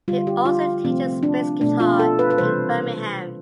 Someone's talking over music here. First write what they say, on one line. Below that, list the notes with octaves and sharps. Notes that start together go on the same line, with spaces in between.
He also teaches bass guitar in Birmingham.
D3 G3 F4
G4
F4
C3 F3 A3 C4
D4
B2 A3 D4
F4
A4
B4
B4
C3 E3 G3 C5